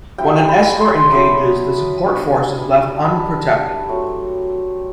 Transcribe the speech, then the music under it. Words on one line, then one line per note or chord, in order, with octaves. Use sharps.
When an escort engages, the supported force is left unprotected.
G3 C4 E4 G5
A5
G5
B5
C6
F#3 B3 E4 B5
G3 B3 D4
G3 D4 A5
B5
A5
F#3 A3 C4